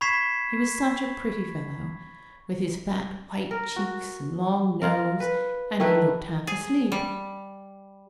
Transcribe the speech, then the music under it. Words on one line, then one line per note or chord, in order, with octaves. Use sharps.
He was such a pretty fellow, with his fat white cheeks and long nose, and he looked half asleep.
B5 C#6 G#6 B6 C7 E7
A#4
F#4
F4 A#4
B4
D#3 A3 E4 B4
G#4
G3